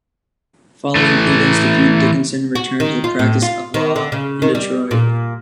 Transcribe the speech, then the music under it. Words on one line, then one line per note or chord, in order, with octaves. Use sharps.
Following Cleveland's defeat, Dickinson returned to the practice of law in Detroit.
E3 A3
F#4
D#3
F4
A2
F4
D#3
D3
C#3
D#3
G3
A#2